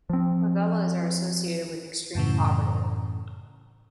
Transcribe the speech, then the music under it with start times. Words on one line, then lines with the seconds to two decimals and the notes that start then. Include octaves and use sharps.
Favelas are associated with extreme poverty.
0.10 F3 C4
2.15 F#2 A2 C#3 E3